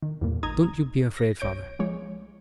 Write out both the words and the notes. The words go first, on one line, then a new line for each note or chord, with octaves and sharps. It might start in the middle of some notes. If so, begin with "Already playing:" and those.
'Don't you be afraid, father.'
D#3
E2 G2 A#2
A1 D#4 A#5 D#6 G#6
A#6
B1 C#5 G6 D7
F3 G#3 C#5